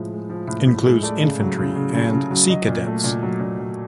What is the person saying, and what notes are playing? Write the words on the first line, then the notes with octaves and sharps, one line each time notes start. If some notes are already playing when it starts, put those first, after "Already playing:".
Includes Infantry and Sea Cadets.
Already playing: A2 F3 G#3
G#3
F3
A2
A2
G#3
A3 D5
C#3
F#3
C#3
C#3
C#3
C#3
F#3
F#3 D#5
A#2
A3
A#2
F#3
A#2
F#3